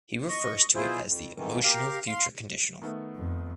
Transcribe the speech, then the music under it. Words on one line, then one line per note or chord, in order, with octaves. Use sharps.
He refers to it as the "emotional future" conditional.
D#5 C#6
B2 E4 F4 G#4 C5
F2
F2 G#2 D#3 E3
G4 A#4 F5
F5 C6
D#3 A3 B3
F2